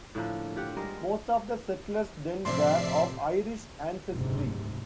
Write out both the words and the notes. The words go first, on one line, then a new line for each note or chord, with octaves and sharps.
Most of the settlers then were of Irish ancestry.
A2 D3 F3 A#3
F4 G4 F#5
G3 G#3 A#4
A2 C3 F3 C5 D5 E5 C6 C7
F#1 D2 G#2 C3